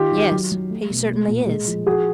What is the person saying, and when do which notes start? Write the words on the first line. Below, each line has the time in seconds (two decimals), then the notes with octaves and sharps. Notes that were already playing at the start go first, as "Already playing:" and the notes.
"Yes, he certainly is."
Already playing: D#3 F4 G4
0.12 D#3
0.31 F#3
0.51 F#3
0.70 A3
0.90 B2
1.08 A3
1.28 A#2
1.47 G#3
1.68 F3
1.86 F3 F#4 G#4